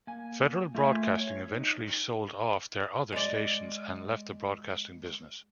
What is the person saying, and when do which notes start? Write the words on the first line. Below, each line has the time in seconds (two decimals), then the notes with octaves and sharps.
Federal Broadcasting eventually sold off their other stations and left the broadcasting business.
0.07 A#3 G#5
0.75 A3 F4 E5 G#5
1.18 C#5
1.52 D#4
3.12 G#3 D5